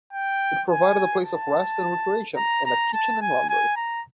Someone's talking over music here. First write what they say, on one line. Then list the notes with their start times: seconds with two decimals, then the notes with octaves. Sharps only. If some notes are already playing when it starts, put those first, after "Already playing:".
It provided a place of rest and recreation, and a kitchen and laundry.
0.13 G5
0.69 G#5
1.25 A5
2.36 A#5
2.65 A#5
2.93 A5
3.21 G#5
3.49 G#5
3.76 A#5